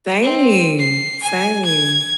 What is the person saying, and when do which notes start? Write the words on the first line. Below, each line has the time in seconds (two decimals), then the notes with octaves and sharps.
Same, same.
0.22 C4
0.78 C7
1.22 G#5
1.65 G#6